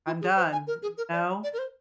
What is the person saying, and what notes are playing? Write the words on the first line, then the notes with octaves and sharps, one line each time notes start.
"I'm done." You know?
F4
G#4
C5
G#5
A#4
G#4
A#4
D5
D5
A#4
C5